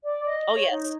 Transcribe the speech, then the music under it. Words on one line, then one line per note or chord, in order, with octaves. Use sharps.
Oh, yes.
D5
D#5
C#5
D#4